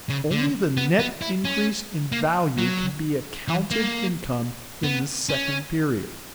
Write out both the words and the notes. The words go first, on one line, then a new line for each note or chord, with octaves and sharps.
Only the net increase in value can be accounted income in the second period.
C#3
D3
B3
B3
E4
C#4
A#3
F#3
E3
A#3
B3
C#4